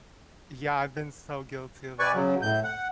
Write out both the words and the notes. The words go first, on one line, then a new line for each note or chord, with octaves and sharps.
Yeah, I've been so guilty about that, yeah.
B4 D5 G#5 C#6
C#3 F#3
A2 G6
F#5